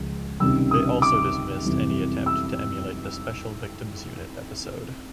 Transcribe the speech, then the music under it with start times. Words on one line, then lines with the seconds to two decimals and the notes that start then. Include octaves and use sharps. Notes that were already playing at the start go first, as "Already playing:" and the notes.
They also dismissed any attempt to emulate the "Special Victims Unit" episode.
Already playing: C#2 C#3 F3 G#3
0.40 C#2 C3 D#3 G3 E6
0.71 D#6
1.02 D6
1.65 F2 C3 E3 G3
2.26 E6